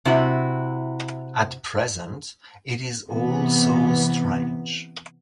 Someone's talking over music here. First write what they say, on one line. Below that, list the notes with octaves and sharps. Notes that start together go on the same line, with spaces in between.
At present it is all so strange.
C3 E4 F#4
C3 E3 B3